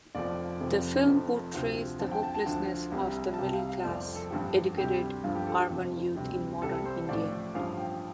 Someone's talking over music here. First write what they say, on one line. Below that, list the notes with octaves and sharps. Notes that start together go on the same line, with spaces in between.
The film portrays the hopelessness of the middle-class, educated, urban youth in modern India.
F1 F2 F3 D5
F1 F2 C3 F3
F1 F2 F3 A5
D2 C3 F3
F2 D3 F3 A5
G5
A5
A5
D2 D3 F3
C2 C3 G3
A5
C2 C3 G3 G5
F5
F5
F1 F2 F3 D5
C5
A4
A1 G2 D3 F3 G4
D2 C3 G3 G4
G1 G2 F3 F4
G4
A4
F1 F2 C3 F3
D2 C3 G3
C2 C3 G3 A4
C5
A1 A2 F3 D5
A1 G2 F3 F5
G5